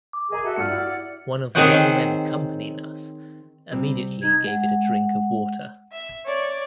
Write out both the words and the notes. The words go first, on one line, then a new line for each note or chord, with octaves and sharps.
One of the young men accompanying us immediately gave it a drink of water.
D6
G#4 A#4 D#5 A#5
F#4 A4 E5
G2 F4 A4 D5 F#5 F6 C#7
E4 F#4 G4
D#3 C4 G#4 C#5 F#5 G5
C3 G3 C4
D#4 G#6
G#3 F#5
E5
C#5 D5